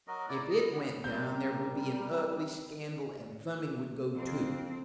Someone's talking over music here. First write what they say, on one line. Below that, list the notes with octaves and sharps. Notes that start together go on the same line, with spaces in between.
If it went down there would be an ugly scandal, and Fleming would go too.
F#3 F#4 A#4 D#5
E4 D5
D#5
B3
G3 C4 A#4 G6
F2 C4